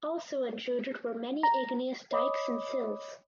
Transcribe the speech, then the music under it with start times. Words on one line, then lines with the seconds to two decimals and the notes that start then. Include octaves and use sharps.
Also intruded were many igneous dikes and sills.
1.43 A#5
2.11 C#5 D#5 B5 D6 D#6